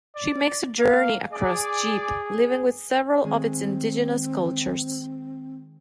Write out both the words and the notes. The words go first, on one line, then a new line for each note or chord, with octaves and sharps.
She makes a journey across Jeep, living with several of its indigenous cultures.
D5
A#3 F5
G#4 D5 G#5 D6
D#3 G#3 C4 G#4